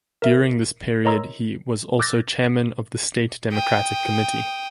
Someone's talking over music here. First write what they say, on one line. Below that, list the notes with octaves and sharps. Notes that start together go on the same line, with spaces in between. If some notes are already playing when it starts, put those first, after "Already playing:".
During this period he was also chairman of the state Democratic committee.
A#4 E5
A#4 C#5 D#5 A#5 C6 E6
D6 E6 F#6 G6 A6 A#6
G5 D#6